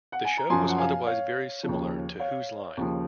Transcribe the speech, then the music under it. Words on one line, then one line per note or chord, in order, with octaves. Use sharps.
The show was otherwise very similar to Whose Line?
F#5
G#5
A#5
F#2 F3 G#5 C6
F#5
F5 G#5
C#5 F5
D#2 C#3 F3
C#5 F5
D#2 C#3 F3